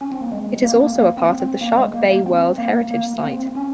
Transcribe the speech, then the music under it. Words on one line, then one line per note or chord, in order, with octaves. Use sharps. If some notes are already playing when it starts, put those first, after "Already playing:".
It is also a part of the Shark Bay World Heritage Site.
C#4
C4
A#3
G#3
A#3
C4
A#3
A#3
C4
C4
A#3
G#3
A#3
A#3
C4
A#3
A#3
A#3
C4
C#4